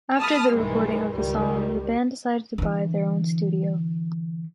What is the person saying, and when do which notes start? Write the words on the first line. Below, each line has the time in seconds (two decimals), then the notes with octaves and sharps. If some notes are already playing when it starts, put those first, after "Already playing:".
After the recording of the song the band decided to buy their own studio.
0.19 A5 B5 D#6 F6
0.53 B1 G2 D#3 E3 G#3
1.15 C#2 D#3 G3
2.58 D3 E3